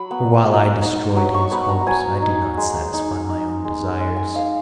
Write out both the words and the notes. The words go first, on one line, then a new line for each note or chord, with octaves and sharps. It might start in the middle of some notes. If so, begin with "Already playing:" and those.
For while I destroyed his hopes, I did not satisfy my own desires.
Already playing: F#3 B5
B3
F#3
D#4
F#3
C#6
B3 B5
A#5
A#5
F#3 G#5
D#4
G#3
D#4
D#4
G#3
G#3
G#5
D#4 F5